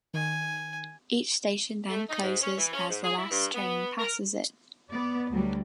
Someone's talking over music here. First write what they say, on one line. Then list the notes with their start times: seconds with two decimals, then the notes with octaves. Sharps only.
Each station then closes as the last train passes it.
0.14 D#3 G#5
1.89 A3
2.09 D#4
2.22 G#2
2.41 C#4
2.58 E3
2.73 C#4
2.89 G#2
3.04 G#4
3.17 E4
3.31 G2
3.55 B3
3.99 A#4
4.91 B3 D5
5.31 D2 F#3 G3